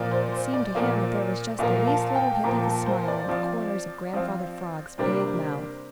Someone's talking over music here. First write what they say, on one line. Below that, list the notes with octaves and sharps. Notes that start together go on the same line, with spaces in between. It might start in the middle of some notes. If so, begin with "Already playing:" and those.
It seemed to him that there was just the least little hint of a smile in the corners of Grandfather Frog's big mouth.
Already playing: A#2 F3 A#3 F4 D5
C5
C5
D5
A#2 F3 A#3 F4
A#2 F3 A#3 F5
A5
G5
A#2 F3 A#3 A#5
A5
C5
D5
F3 C4 F4
F3 C4 F4
C3 G3 A#3 D4 G4 C5